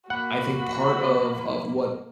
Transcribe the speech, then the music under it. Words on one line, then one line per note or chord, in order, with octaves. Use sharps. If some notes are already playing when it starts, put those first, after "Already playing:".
I think part of of what
A#3 F#4 F#5 B5